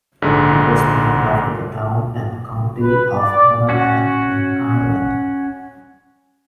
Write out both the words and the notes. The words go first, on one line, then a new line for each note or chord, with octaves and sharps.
It was named after the town and county of Monaghan in Ireland.
A#1 G#2 D3
B4
D5
C#4 F#4